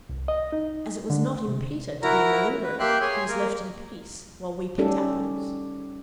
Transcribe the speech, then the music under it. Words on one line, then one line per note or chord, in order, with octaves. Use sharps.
As it was not in Peter to be a malingerer he was left in peace, while we picked apples.
C2
D#5
D#4
D3
C3
E4 F#4 A#4 A#5
B4
A#3 G4 E5 G5 C6 F#6
G#4 C#5 G#5 C6
A#3 A#4
G3 C#4 D#4 G4 A4 D5